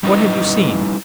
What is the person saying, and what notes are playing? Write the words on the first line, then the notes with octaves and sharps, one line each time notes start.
"What have you seen?"
G3 C#4 D#4 E4 B4 D#5